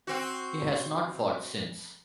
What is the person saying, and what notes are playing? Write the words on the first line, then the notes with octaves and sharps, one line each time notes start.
He has not fought since.
C4 F#4